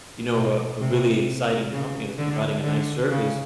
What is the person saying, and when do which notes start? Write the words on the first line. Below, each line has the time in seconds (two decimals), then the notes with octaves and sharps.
you know, a a really exciting company that's providing a nice service,
0.34 B2
0.80 C3
1.72 C#3
2.18 D3
2.63 D3
3.09 C#3